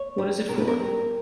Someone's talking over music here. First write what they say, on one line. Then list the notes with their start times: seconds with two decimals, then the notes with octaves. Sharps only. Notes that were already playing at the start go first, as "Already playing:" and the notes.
What is it for?
Already playing: C#5
0.18 G3
0.48 B2 A#4
0.58 B4
0.68 A#4
0.79 G3